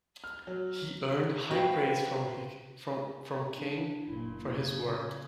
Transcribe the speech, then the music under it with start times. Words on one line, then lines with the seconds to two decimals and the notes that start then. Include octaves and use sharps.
He earned high praise from King for his work.
0.24 F6
0.47 F#3
1.51 F#4 B4 C5 D5 F5 G5
3.57 D4
4.07 F#1 A#2 E4
4.50 C#3 G#6